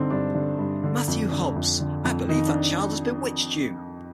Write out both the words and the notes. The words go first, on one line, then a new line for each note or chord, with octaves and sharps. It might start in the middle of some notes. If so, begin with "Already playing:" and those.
Matthew Hobbs, I believe that child has bewitched you!
Already playing: G2 D3 C4 D4 D#4
G2 D4
D3
G2
D3
F2
D3
F2
D3
F2
D#3 D#4
D4